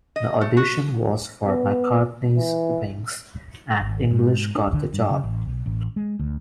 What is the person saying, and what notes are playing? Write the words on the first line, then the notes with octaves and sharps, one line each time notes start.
The audition was for McCartney's Wings, and English got the job.
D#5
A3
F#4
B3
E3
G#1
G#2
D4
D3
G2
C#3
A1
B1
A1
G#3
D2